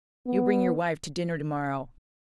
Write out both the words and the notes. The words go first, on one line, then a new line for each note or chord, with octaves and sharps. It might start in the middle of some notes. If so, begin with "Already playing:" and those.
You bring your wife to dinner to-morrow.
B3